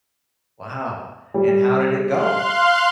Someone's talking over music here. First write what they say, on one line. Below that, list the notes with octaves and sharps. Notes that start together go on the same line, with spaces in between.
Wow. And how did it go?
G3
F5 C6 F#6